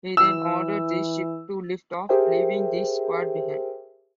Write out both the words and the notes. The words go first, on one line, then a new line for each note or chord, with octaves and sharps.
He then orders the ship to lift off, leaving the squad behind.
E3 E6
G4 G#4 A#4 C5 E5 G5